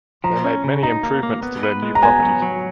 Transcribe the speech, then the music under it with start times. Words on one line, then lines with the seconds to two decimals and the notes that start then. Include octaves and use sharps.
They made many improvements to their new property.
0.24 F3 A#5
0.44 C#4
0.64 C#3
0.83 D#4 A#5
1.03 A#3
1.23 A#3
1.43 B3
1.63 B4
1.82 G#3
1.95 A#5
2.02 B3 G#5
2.22 F#3
2.42 F#3